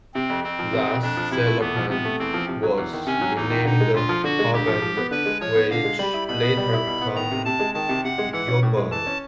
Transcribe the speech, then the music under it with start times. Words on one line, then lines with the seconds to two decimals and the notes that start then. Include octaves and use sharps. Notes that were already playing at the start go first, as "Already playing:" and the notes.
Thus, Celopan was renamed "Habongan" which later became "Jabonga".
0.14 C3 C4
0.30 F2
0.44 F2 C4
0.59 F3
0.73 C3
0.88 F2
1.03 F2 D4
1.17 F3
1.31 C3 E4
1.46 A3
1.60 E2 B3
1.76 F3
1.89 C3 B3
2.05 A3
2.19 E2 C4
2.34 F3
2.48 C3
2.63 F#3
2.78 E2
2.93 D#3
3.07 C3 C#4
3.21 F#3
3.37 E2 D#4
3.50 D#3
3.65 D3 D#4
3.80 G#3
3.94 D2 F4
4.09 F3
4.24 D3 F#4
4.39 G#3
4.54 D2 G4
4.68 F3
4.82 F3
4.97 B3
5.11 D3 B4
5.26 G#3
5.41 F3 C#5
5.55 B3
5.71 D3 F5
5.84 G#3
5.99 G3 B5
6.14 E4
6.28 B2 B5
6.43 B3
6.57 G3
6.73 E4
6.87 B2
7.02 B3
7.16 D#3 A#5
7.31 C3
7.45 C3 A5
7.60 G#3
7.74 D#3 A5
7.89 C3
8.04 C3 F#5
8.18 G#3
8.33 E3 F#5
8.48 C#4
8.63 A2
8.77 G#3
8.91 E3 A5
9.07 C#4